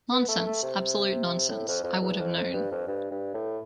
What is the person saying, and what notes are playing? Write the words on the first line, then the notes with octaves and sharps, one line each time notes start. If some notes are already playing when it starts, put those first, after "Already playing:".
Nonsense, absolute nonsense: I would have known.
B3
A3
A3
C3
A2
F2
F2
E2
F2
F2
G2
F2
G2
G2
A2